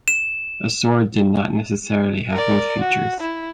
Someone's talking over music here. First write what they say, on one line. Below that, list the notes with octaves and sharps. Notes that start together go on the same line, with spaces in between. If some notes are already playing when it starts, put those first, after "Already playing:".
A sword did not necessarily have both features.
E7
A#4 D5
F#4
E4